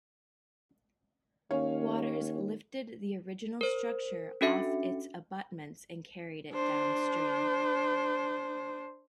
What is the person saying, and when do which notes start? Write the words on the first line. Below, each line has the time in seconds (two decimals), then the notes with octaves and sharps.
Waters lifted the original structure off its abutments and carried it downstream.
1.51 D#2 C#4 C#5 F5
3.61 A#4 C5
4.41 C#4 D4 F#4 A4 E5 C#7
6.53 D4 C5